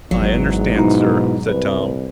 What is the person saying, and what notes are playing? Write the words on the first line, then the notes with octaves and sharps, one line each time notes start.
"I understand, sir," said Tom.
G#1 E2 G#2 F#3
B2 D#4 E4 A#5
C2 B4